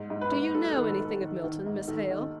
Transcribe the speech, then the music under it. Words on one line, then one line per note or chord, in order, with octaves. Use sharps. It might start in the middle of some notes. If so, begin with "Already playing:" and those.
'Do you know anything of Milton, Miss Hale?
Already playing: G#2
G#2
B4
G#2
F#3 A4
A4
D#3
A4
G#2
A4
D#3
D#3
G#2
D#3 A4
D#3